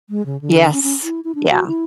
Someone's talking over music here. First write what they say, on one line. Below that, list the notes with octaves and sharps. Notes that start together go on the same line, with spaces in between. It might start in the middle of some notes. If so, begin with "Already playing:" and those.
Yes. Yeah.
G#3
C#3
D3
C#4
C#4
E4
E4
D4
F#4
E4